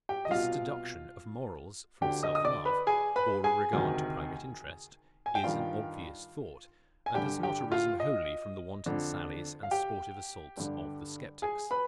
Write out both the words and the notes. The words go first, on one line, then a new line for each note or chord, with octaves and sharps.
This deduction of morals from self-love, or a regard to private interest, is an obvious thought, and has not arisen wholly from the wanton sallies and sportive assaults of the sceptics.
G4 G5
D#5
C2 B2 F4 F5
D2 D3 G4 G5
D#5 D#6
D#6
D5 D6
B4 B5
G#4 G#5
B4 B5
G#4 G#5
D2 C3 D#3
G#5
G5
G2 D#3 F4 F5
G#5
G2 D3 G4 G5
G4 G5
F4 F5
D#5
F2 D3
F5
G4 G5
G2 D3
G#4 G#5
B4 B5